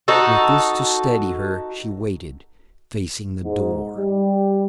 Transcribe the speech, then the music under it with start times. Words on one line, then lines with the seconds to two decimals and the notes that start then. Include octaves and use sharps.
With this to steady her, she waited, facing the door.
0.08 D#4 F#4 A4
3.44 G#2
3.97 G3